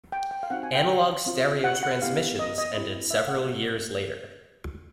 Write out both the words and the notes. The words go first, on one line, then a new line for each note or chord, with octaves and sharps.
Analog stereo transmissions ended several years later.
G5
G5
F5
C4 D#4 F#4 F#5
G#5
G5
C4 F4
F#5
F#5
B3 E4 G4 F5
D#5
D#5
C4 E4 G4
E5
F5
F#5